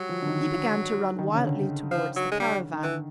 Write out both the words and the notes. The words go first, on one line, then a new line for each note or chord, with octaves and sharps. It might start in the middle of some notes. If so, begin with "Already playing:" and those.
He began to run wildly towards the caravan.
Already playing: F#3 G3
F3
D3
D#3
D#3
D3
C#3
D3
F3
F#3
G#3
G3
D#3
D3 E3